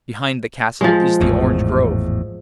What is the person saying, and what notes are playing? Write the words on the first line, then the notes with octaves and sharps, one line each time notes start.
Behind the castle is the orange grove.
F3 G#3
G#1 E2 A2